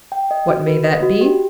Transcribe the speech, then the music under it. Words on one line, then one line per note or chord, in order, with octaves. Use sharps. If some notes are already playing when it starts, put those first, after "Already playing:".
What may that be?
G5
D#5
F#4
B4
D#5
F#4
G4